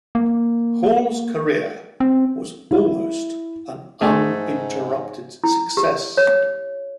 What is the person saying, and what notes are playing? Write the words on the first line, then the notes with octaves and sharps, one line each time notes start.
Hall's career was almost an uninterrupted success.
A#3
C4
E4
G#2 A3 G#4
E4
G4
C#5